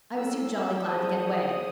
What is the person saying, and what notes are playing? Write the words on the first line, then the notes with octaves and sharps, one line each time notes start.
I was too jolly glad to get away.
C4 E4 A4 C#5 E6
G#4 C5 E5 A5 D#6